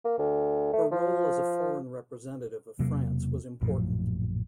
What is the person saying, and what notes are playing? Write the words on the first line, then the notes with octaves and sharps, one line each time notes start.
Her role as a foreign representative of France was important.
A#3
D2
A3
F3
E1 C3 F#3 A#3
A#1 F#2 A2 F3